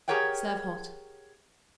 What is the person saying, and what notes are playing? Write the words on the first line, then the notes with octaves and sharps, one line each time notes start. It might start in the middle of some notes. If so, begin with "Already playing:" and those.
Serve hot.
G4 G#4 A#4 C#5 F#5 G5